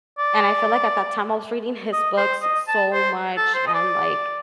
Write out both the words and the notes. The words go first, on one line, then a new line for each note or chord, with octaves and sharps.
and I feel like, at that time I was reading his books so much and, like,
D5
D#5
C5
D#5
A5
C5
A4
C5
D#5
D5